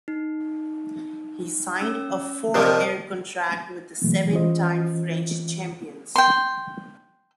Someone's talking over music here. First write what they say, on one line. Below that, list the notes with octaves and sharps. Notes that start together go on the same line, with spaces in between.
He signed a four-year contract with the seven time French champions.
D#4
C#4 E6
C3 D#3 F3 D5 D#5 A5
B2 E3 F#3 A3 A#3
E3 C#4 F4 C5 D#5
G5 C6